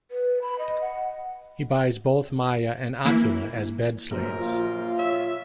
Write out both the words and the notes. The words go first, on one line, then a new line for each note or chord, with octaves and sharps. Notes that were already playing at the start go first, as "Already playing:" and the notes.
He buys both Maia and Occula as "bed-slaves".
B4
B5
D#5
F#5
E3 A#3 E4
A#1 F#3 A#4 C5
F4
C#5 E5